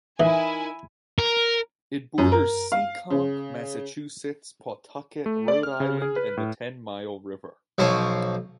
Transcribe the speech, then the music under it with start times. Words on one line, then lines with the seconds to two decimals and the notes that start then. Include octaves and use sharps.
It borders Seekonk, Massachusetts, Pawtucket, Rhode Island and the Ten Mile River.
0.20 E3 D#4 E4 A#4 E5 G#5
1.19 A#4
2.18 F#2
2.32 A#4
2.72 F5
3.10 C#3
5.26 A3
5.48 D5
5.63 F6
5.80 C#3
6.02 G#4
6.16 B4
6.37 A2
7.78 B1 F3 C5 C#5 C6